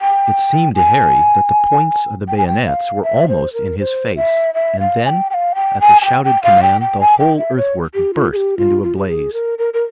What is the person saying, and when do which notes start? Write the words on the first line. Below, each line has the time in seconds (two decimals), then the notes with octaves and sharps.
It seemed to Harry that the points of the bayonets were almost in his face, and then, at the shouted command, the whole earthwork burst into a blaze.
0.01 G5
0.76 G#5
2.28 G5
2.38 G#5
2.47 G5
2.65 F5
3.03 E5
3.29 C5
3.53 A#4
3.79 C5
4.16 E5
4.54 E5
4.80 F5
5.05 G#5
5.09 G5
5.30 G5
5.34 F5
5.55 G5
5.81 G#5
6.02 G#5
6.05 G5
6.25 G5
6.43 F5
6.63 G5
6.81 G5
7.00 G#5
7.19 G5
7.38 E5
7.57 C#5
7.94 G4
8.14 F4
8.32 G#4
8.36 G4
8.58 F4
8.83 F4
8.96 G4
9.08 G#4
9.33 A#4
9.58 A#4
9.74 A#4